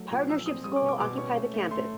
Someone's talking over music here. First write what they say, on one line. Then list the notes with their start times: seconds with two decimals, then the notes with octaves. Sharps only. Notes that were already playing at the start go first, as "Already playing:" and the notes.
Partnership School occupy the campus.
Already playing: F#3 A3
0.11 A#2
0.29 F3 E6
0.46 C4 D#6
0.64 G3 D#6
0.76 D6
0.81 B2
0.89 D6
1.00 B2 D6
1.17 C#4 C#6
1.36 A3
1.54 A3
1.71 A3 C6